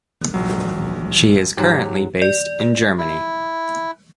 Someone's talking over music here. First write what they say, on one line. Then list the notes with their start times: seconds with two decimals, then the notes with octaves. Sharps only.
She is currently based in Germany.
0.34 A#1 F#3
1.57 G#2 F#3 G4
2.22 D5
2.98 E4